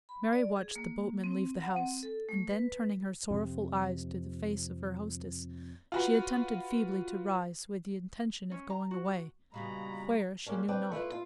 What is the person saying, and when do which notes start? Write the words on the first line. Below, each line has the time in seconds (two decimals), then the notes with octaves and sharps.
Mary watched the boatman leave the house, and then, turning her sorrowful eyes to the face of her hostess, she attempted feebly to rise, with the intention of going away,--where she knew not.
0.09 B5
0.33 D5
0.56 G#4
0.76 A#3
1.24 C4
1.60 F#5
1.76 C4
2.03 A4
2.29 A3
2.48 B4
3.31 F2 C3
5.92 F4 F#4 B4
8.52 C#4
8.70 A#5
8.91 F#4
9.54 A#2 C#3 G3 G#3 B3 F#4 A#5 B5
10.47 G3 G#3 A#3 C#4 D4
10.68 C4 D4 B4 D5 G5
10.92 A3 E4 F4 B4
11.12 F4